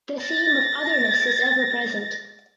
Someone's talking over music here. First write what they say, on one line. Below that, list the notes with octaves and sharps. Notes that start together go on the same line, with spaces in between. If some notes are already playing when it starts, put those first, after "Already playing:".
The theme of "otherness" is ever present.
A6 A#6